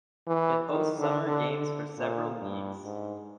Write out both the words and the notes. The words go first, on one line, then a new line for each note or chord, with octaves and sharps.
It hosts summer games for several leagues.
E3
D#3
D3
D3
D3
A#2
G2
G#2